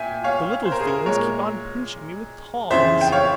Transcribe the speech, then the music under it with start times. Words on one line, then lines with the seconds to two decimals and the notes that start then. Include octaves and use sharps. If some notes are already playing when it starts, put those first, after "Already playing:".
The little fiends keep on pinching me with tongs.'
Already playing: A#2 E5 G5 G#5
0.24 C#5 F5
0.65 C5
0.72 A#4
0.81 G#4
0.87 A#4
1.06 A#2 G#3 A#4 C#5
2.70 F2 C#3 E3 C5 E5
3.01 G5
3.12 C#5 F5